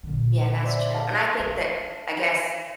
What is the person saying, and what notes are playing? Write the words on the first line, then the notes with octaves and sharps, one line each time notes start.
Yeah, that's true. And I think that, I guess,
A#2 D3
C5 D5 E5
F5 A5
D4